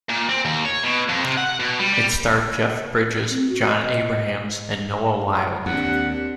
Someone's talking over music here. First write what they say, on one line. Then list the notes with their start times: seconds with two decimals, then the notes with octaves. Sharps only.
It starred Jeff Bridges, Jon Abrahams, and Noah Wyle.
0.09 A#2
0.29 C4
0.45 D#2
0.65 C#5
0.84 B2
1.09 F2
1.25 C3
1.37 F#5
1.59 B2
1.79 G3
1.93 G3
3.30 C4
3.49 F#4
3.67 D#5
5.66 D#2 C4 D4 G4 F#5